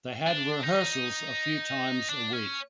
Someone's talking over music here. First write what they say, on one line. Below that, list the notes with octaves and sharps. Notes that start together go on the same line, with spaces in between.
They had rehearsals a few times a week.
D4
D#4
D4
C#4